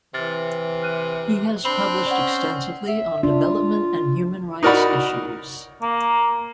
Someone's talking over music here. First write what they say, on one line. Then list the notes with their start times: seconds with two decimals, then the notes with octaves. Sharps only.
He has published extensively on development and human rights issues.
0.14 C3 E3 F6 A6
0.83 F6 F#6 D#7
1.65 C4 D4 B5
2.06 C#4 D5 F#5
2.88 E5
3.23 D4 F4
4.63 D#4 F#4 A#4 D5 F#5 B5
5.82 A#3